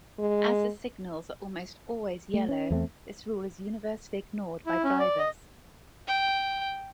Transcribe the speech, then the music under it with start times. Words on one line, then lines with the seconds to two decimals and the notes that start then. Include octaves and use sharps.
As the signals are almost always yellow, this rule is universally ignored by drivers.
0.18 G#3
2.34 A3
2.49 C#4
2.71 E2 A3 C4
4.66 E4
4.84 C#4
4.99 D5
5.18 D#5
6.08 G5